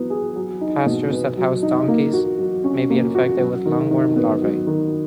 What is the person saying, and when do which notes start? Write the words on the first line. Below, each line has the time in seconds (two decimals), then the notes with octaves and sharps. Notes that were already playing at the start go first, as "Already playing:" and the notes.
Pastures that housed donkeys may be infected with lungworm larvae.
Already playing: F#3 B3 E4
0.10 G#4
0.36 F#3
0.61 D#4
0.86 B2
1.12 B3
1.37 F#3
1.62 D#4
1.88 A#3
2.13 F#4
2.39 F#3
2.64 C#4
2.90 A#3
3.15 F#4
3.40 F#3
3.66 D#3
3.91 D#3
4.16 B3
4.41 F#3
4.67 D#3